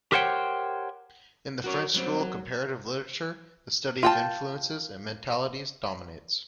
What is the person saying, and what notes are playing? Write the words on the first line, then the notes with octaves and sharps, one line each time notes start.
In the French School of Comparative Literature, the study of influences and mentalities dominates.
G4 A#4 C5 C#5 F#5 G5
F#4 A#4 C#5
F#3 G3 A#3 C4
F#3
F4 G5 A5